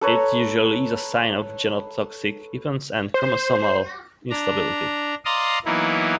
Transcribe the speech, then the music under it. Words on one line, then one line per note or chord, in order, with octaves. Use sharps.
It usually is a sign of genotoxic events and chromosomal instability.
A4 B4 C#5 A#5
C5
D4 A#5
D5 D#5 F5 A#5 C6 D#6
E3 F#3 A#3 B3 D#4 E4